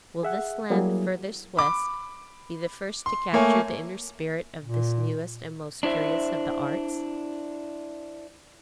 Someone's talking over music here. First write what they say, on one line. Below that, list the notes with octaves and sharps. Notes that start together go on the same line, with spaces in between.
Will this land furthest west be the first to capture the inner spirit of this newest and most curious of the arts?
G#4 E5 F#5
F#3 G3 A#3 E4 G#4
B5 D6
C6
A3 A#3 C#5 G#5
A#2
D4 E4 C5 E5